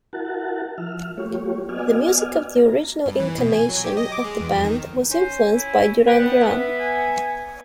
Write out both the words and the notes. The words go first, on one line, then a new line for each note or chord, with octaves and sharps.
The music of the original incarnation of the band was influenced by Duran Duran.
E4 F#4 A#4 F#5 A5
F3 E5 F6
F#3 A3 A#3 F4 G4 C#5
B3 F#4 D5 D#5 G#5 F6
A#5
G2
E3
B2
G#5
F#3
G4
D#5
D6
G#3
E2
F2
D#3
C#4 C5
E4
B4 F#5 G5
B3 D5
E5
G#5